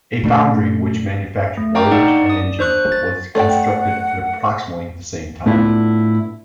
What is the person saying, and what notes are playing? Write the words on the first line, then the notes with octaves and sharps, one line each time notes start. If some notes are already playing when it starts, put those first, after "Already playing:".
A foundry which manufactured boilers and engines was constructed at approximately the same time.
A#2 A3 C4 D4
A3
D5 F5 G5 A#5 C#6 D6
D4 D#4 D5 F#5
D5 D#6
D4 C5 C#6 F#6
A6
A3 D5 F#5 G5
A2 A3 B3 D4 E4 F4